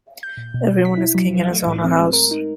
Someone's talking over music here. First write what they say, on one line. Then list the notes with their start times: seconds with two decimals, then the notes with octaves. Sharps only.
Every one is king in his own house.
0.23 G6
0.37 A#2
0.54 B2
0.85 B6
0.97 E4
1.15 F#3
1.51 A3
1.67 A2
1.84 C4
1.99 G#3
2.13 A#4
2.31 D#4